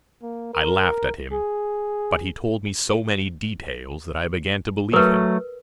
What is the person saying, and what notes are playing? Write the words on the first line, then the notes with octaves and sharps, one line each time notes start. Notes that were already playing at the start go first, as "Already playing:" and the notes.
I laughed at him, but he told me so many details that I began to believe him.
A#3
A#4
G#4
F#3 A3 A#4 B4